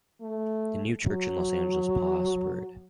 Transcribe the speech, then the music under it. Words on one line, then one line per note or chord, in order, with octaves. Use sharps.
The new church in Los Angeles prospered.
A3
F#3